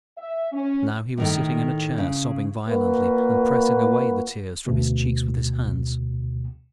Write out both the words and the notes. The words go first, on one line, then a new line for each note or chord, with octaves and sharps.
Now he was sitting in a chair, sobbing violently, and pressing away the tears from his cheeks with his hands.
E5
C#4
A2 D#3 A3
C#3
A#2 A#3 F#4 B4
D2 B2